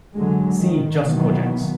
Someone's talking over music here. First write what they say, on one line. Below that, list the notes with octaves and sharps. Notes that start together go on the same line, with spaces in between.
See jus cogens.
D3 F#3 G#3
D#3
B2 D#3 E3 F#3 A#3 B3